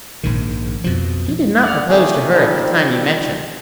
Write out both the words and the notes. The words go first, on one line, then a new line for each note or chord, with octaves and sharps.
He did not propose to her at the time you mention.
A#1 G#2 D#3
F2 B2 F3
D5 F#5 F6
C3 D#3 A3 A#3 G4 G#4
D#3 F3 G3 C4 D#4